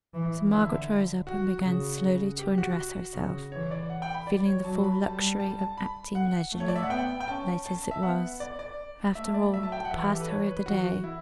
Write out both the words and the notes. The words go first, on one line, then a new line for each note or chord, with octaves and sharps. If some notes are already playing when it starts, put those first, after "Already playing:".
So Margaret rose up and began slowly to undress herself, feeling the full luxury of acting leisurely, late as it was, after all the past hurry of the day.
E3
D3 E4
F#4
C#3
C#3
G4
F#4
C#3
E3 C#5
D5
F#5
G5
B5
D5
C#5
F#3 A5
B5
G3 A5
A5
A5
B5
F#5
A3
C#5
D5
E5
F#5
B3 G5
G5
C#4 A5
A5
E5
B3 F#5
D5
D5
A3 E5
D5
F#3 E5
A5
G5
F#5
E3 E5
G4
A4
B4
C#5
B4
E3 F#4
E4